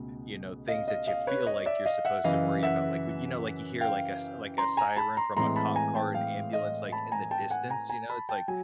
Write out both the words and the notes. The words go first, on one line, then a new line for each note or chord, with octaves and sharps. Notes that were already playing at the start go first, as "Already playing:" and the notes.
you know, things that ya feel like you're supposed to worry about. Like, when you know, like, w you hear, like, a s like, a siren from a cop car, an ambulance, like, in the distance, you know, it's like,
Already playing: C#2 B2 A3 C#4
D#5 F5
D#5 F5
D#5 F5
B4 C#5
C#5 D#5
D5 E5
D#5 F5
E5 F#5
F#2 C#3 E3 D#5 F5
E5 F#5
F5 G5
A#5 C6
G#5 A#5
A5 B5
A#5 C6
A2 E3 G#3 C4 A#5 C6
A5 B5
G#5 A#5
G5 A5
F5 G5
D#5 F5
A5 B5
G#5 A#5
G5 A5
F#5 G#5
G#5 A#5
G#5 A#5
A5 B5
G5 A5
F#3 G#5